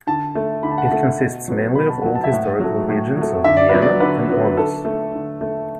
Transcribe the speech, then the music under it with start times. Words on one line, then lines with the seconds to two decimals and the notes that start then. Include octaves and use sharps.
It consists mainly of old historical regions of Viena and Aunus.
0.07 D3 A5
0.35 A3
0.63 D3 B5
0.71 A5
0.78 F#5
0.85 A5
0.92 A3
1.20 B2
1.48 F#3 B3
1.75 B2 B5
1.90 A5
2.02 F#3 B3 F#5
2.15 A5
2.24 E5
2.32 A2 F#5
2.60 F#3 A3
2.89 A2
3.17 F#3 A3
3.44 D3 E5
3.57 D5
3.69 F#3 B3 B4
3.82 D5
4.00 D3 B4
4.29 F#3 B3
4.57 D3 A4
4.85 A3
5.14 D3
5.41 A3